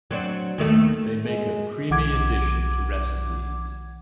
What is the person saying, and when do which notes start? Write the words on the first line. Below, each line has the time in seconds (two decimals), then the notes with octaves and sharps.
They make a creamy addition to recipes.
0.11 F#3 C4 D4
0.58 D#2 D#3 A3
1.25 G#3
1.90 B1 E3 F#5 D6 G#6